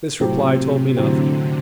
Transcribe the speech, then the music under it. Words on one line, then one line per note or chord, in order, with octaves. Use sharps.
This reply told me nothing.
A2 C3 F#3 C4 G4 C5
C3
A2 D3 F#3 C4 G4 C5